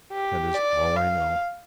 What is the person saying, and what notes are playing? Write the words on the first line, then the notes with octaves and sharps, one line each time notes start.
That is all I know.
G4
D5
F5